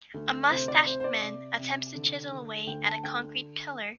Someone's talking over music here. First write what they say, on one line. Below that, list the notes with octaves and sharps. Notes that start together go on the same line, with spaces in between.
A mustached man attempts to chisel away at a concrete pillar.
D2
C3 C5
D5
C3 C5
C5
D5
C3
C3
D3
D3
D2 G5
A5
D3 G5